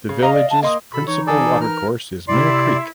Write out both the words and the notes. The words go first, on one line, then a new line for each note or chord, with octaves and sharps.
The village's principal watercourse is Mill Creek.
C#3
D#5 F5 A#5
D5
A5
A#3 D#5 C6 D#6
B2 A4 B5
E3 D#4 C#5
G#4 A4 D5
A#4 F6
C3 E4 D5 C6